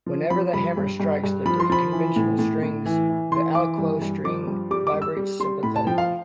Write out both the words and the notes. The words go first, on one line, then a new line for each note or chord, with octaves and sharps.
Whenever the hammer strikes the three conventional strings, the aliquot string vibrates sympathetically.
F3
F3 B5
G2 B5
G2
G2
G2
F3 B5
C6
F3 B5
E3
A2
A2
A2
E3
E3
E3 C6
E3 D6
G2
G2
F3 D6
G2
G3 D6
D6
G3
E6
G3
G3 C6
A2 B5
A5
F3 G5
F5